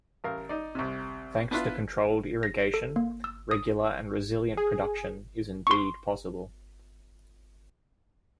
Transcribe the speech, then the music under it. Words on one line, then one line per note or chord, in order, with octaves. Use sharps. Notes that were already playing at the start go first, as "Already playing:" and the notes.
Thanks to controlled irrigation, regular and resilient production is indeed possible.
A1 A#4 F5
D#4 D5
C2 C3
B3 D4 E4 F4 B4
A#6
A4
A#3
E6
D#6
G#4
C6 C#6